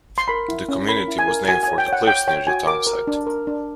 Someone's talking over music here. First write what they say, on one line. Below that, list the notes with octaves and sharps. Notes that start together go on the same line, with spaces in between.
The community was named for the cliffs near the town site.
C6
A#4 B5
E4
C#4
A#4 B5
E4
G#5
A#4
F#4 G#5
C#5 G#5
G5
C#5 F#5
C#5 G5
C#5 G5
F#4 G#5
A#4 D6
A#4
D4
A#4
D4